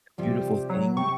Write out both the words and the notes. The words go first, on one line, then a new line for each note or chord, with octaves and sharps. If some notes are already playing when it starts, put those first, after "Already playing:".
beautiful thing
C3 F3 G3 G4
F#3
C3 G5 C#6